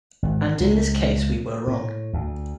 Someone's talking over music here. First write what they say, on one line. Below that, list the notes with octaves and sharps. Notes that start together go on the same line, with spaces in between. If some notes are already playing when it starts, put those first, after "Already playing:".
And in this case we were wrong.
G#1
C#2
A2
D2